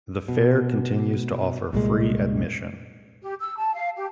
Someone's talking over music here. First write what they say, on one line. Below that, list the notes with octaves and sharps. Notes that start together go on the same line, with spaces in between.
The fair continues to offer free admission.
B2
C2 A#2 G#3
G4
E6
A5
F5
G4